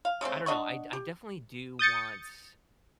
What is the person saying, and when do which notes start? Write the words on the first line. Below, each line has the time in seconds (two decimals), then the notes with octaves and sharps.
I don't know. I d I definitely do want
0.05 F5
0.21 C#3 G#3 A3 C4
0.46 D4 D#5 F#5 C#6
0.93 G4
1.79 D#6 G6 A6 C#7